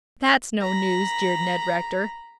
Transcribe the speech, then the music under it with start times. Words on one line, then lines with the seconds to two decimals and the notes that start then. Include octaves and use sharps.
"That's no news," jeered Ned Rector.
0.61 A#5 B5